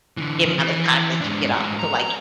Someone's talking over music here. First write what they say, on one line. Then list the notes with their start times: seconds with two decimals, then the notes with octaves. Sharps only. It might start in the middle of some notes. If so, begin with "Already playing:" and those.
the amount of time that you get off. So like,
0.17 D3 E3
0.45 F3 C#4
0.59 E3
1.21 G#2 D4
1.53 G#2 F#4
1.79 A#5